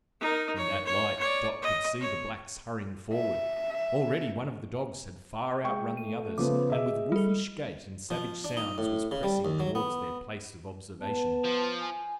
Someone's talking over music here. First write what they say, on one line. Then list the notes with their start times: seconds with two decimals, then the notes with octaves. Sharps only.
In that light Dot could see the Blacks hurrying forward. Already one of the dogs had far outrun the others, and with wolfish gait and savage sounds, was pressing towards their place of observation.
0.21 D#4 A#4
0.56 C#5
0.85 C#5
1.19 C#5 D5
1.63 D#5
2.01 C#5
3.13 E5
5.64 G#3 G5 C#6
5.97 A3 D#7
6.38 C#3 F3 B3 D6
6.70 G#4 D#5 E5
7.12 G3 A4
8.10 F3
8.44 D4
8.57 D#4
8.78 A2
9.11 C#3
9.23 G3
9.45 D#2
9.60 F#3
9.75 B3
11.02 B3 A5
11.44 F3
11.81 G#5